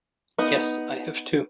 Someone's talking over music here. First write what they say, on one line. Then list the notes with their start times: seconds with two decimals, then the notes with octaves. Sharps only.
Yes, I have two.
0.38 B3 D#4